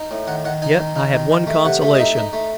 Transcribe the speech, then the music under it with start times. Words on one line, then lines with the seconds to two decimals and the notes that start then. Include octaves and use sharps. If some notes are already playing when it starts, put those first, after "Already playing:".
Yet I had one consolation.
Already playing: D#4
0.11 A2
0.27 D#3 F#5
0.45 D#3 F#5
0.62 D#4 G#5
0.79 D#3
0.96 D#4
1.14 D#3
1.31 D#3
1.47 A3
1.64 C3 F#5
1.82 A3
1.94 D#5
1.99 D#4 E5
2.16 D#4
2.33 A3